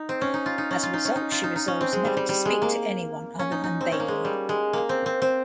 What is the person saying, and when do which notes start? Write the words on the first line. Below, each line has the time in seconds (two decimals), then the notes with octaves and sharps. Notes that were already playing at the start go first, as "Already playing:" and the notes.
As a result, she resolves never to speak to anyone other than Bailey.
Already playing: D#4
0.09 C4
0.21 C#4
0.34 D#4
0.46 F4
0.58 D#4
0.71 C#4
0.83 F4
0.93 D#4
1.05 C#4
1.16 D#4
1.32 F4
1.44 D#4
1.56 D#4
1.68 C#4
1.81 C4
1.93 G#3
2.05 G3
2.17 G3
2.29 G3
2.45 G#3
2.62 A#3
3.39 C#4
3.52 D#4
3.64 D#4
3.81 C4
3.92 C#4
4.00 A#3
4.08 G#3
4.25 G3
4.49 G#3
4.73 A#3
4.89 C4
5.06 C4
5.22 C4